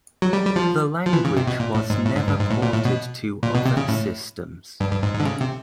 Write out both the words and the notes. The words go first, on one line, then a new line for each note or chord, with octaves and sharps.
The language was never ported to other systems.
F#3
G3
G3
F3
F3
E3
C#3
C3
B2
A#2
A2
G#2
A2
G#2
G2
G#2
A2
A#2
A2
B2
A#2
B2
C3
C#3
A2
G2
G2
G#2
G#2
D3
C#3
C3